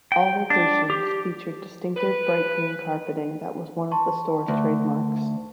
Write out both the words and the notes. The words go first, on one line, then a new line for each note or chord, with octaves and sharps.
All locations featured distinctive bright green carpeting that was one of the stores trademarks.
G5
D4
G4
B4
A5 C6 C#6
D2